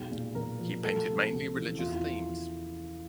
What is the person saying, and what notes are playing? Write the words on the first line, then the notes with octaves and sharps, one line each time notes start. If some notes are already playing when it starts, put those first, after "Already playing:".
He painted mainly religious themes.
Already playing: B1 G#3
A#2
B1 A#4
F3
A3 A4
C3
C#2
E3
E2 F4
E4
F4